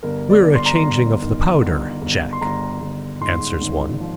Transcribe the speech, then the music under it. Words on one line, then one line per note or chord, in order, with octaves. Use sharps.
"We're a-changing of the powder, Jack," answers one.
G1 A#4
D5
G1
C6
A#5
C6
G1
D#3
G1
G1
C6
G1 A#5
G1
G#2 C6
G#1
F3